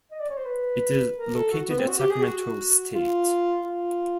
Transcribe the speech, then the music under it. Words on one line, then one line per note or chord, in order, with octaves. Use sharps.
It is located at Sacramento State.
D#5
D5
C#5
C5
B4
A#4
A4
F#4
B3
C4
F#4
G4
G#4
F#4
F4
F4